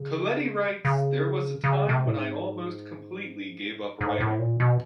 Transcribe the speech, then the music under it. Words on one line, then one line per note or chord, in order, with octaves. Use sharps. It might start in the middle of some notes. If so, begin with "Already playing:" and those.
Coletti writes, There was a time when I almost completely gave up writing.
Already playing: C#3
C#3
C#3
C3
A2
G#2
G#2
A2
A#2
B2